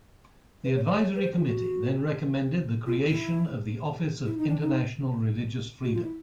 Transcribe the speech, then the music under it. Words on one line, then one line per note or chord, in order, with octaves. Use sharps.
The advisory Committee then recommended the creation of the Office of International Religious Freedom.
B4
C#5
D5
C#5
B4
C5
F4
F#4
F4
E4
E4
D#4
D4
D#4
F#4
F4
E4